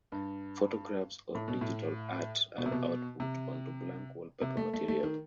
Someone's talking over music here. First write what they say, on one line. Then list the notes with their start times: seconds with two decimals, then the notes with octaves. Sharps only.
Photographs or digital art are output onto blank wallpaper material.
0.12 G2
1.35 A2
1.48 B2
1.61 A2
2.58 B2
2.66 C3
2.72 B2
3.20 C3
4.42 C3
4.57 A3
4.74 A3
4.88 A3
5.03 D#3